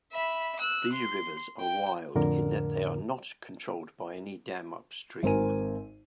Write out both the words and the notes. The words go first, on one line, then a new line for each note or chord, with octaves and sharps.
These rivers are 'wild', in that they are not controlled by any dam upstream.
E5 B5
E6 F#6
C6
G5
F2 A2 D3 A#4
G#1 C4 A#4 G#5 D#7